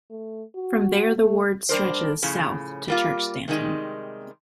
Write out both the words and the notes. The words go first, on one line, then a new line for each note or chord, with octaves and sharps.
From there the ward stretches south to Churchstanton.
A3
F#4
A3
G3 D4 A#4 C5
A2 C#3 F3
G3 A#3 F4
C3 D#3 G3 G#3 D#4